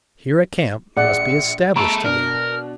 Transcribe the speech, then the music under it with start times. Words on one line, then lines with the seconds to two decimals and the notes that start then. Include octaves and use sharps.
Here a camp must be established again.
0.97 A#1 G#4 D5 F#5 C#7
1.76 G#3 A4 A#5 B5 C#6 D7
2.04 B2 D4 A#4 F6